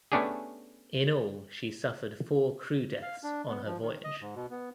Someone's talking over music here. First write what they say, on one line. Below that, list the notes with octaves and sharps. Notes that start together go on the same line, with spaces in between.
In all she suffered four crew deaths on her voyage.
A3 B3 C#4 D4 G4 G#4
F5
D4
B3
F3
D#3
D#5
G#2
B2
B3